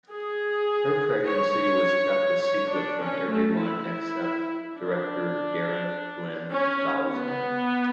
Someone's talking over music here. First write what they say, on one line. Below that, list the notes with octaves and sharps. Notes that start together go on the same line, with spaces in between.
Her pregnancy was kept a secret from everyone except director Darren Lynn Bousman.
G#4
C#5
C#5
D4
C#4
A3
E4
D4
C#4
B3